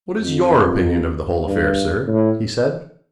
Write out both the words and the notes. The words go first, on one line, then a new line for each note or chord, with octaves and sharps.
"What is your opinion of the whole affair, sir?" he said.
F2
G2
A2